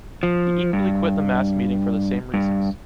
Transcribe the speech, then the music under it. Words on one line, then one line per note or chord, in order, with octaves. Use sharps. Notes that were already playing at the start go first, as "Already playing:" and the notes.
He equally quit the mass meeting for the same reasons.
F3
G2
G2